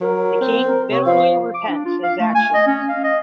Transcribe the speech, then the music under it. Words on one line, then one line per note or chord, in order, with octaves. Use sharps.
The King bitterly repents his actions.
F#3 A#4
C4
A#4
C3 C#5
F3 F5
D6
D4
F4
F5
A3
G#5
D#5
C#4
F5
D#5